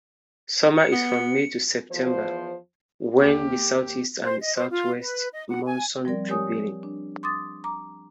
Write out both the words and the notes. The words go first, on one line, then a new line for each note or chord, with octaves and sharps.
Summer is from May to September, when the southeast and southwest monsoon prevailing.
C#7
B3
E2 F3 C5
D#2 A#3 G4
C5
D#5
C5
F4
B4
D#5
F#5
G#5
F3 G3 C4 A#4 D5
G4 A#4 C#5 G#5 D#6
D4
C6 D6 D#6 A6
A#5 D6